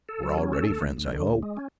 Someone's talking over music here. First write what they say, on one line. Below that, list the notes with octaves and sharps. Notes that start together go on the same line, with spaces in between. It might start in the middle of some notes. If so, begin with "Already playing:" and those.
"We are already friends, I hope."
A4
F#3
C#4
A4
D2
D2
D2
D3
D2
G#3
C#4